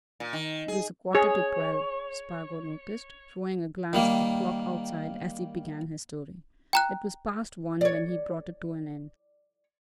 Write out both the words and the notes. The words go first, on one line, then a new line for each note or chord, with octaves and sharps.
It was a quarter to twelve, Spargo noticed, throwing a glance at the clock outside, as he began his story; it was past one when he brought it to an end.
A#2
D#3
G#4
G#4 C#5
D#3 G3 A#3
G5 A#5 F#6
C#5 D5